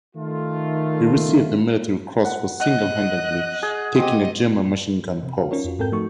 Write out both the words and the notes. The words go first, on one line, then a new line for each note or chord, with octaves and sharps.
He received the Military Cross for single-handedly taking a German machine-gun post.
D#3 A3 F4
F#5
D#5 F#5 F#6
G#4
C4 G4 D#5
C3
F#4 F5
C#4 D#4 F4 A#4 C#5
F2 F4 F#4
G#2 C4 A4 A#4 G5 G6
F3 A3 D#4 F#4 A4 C#6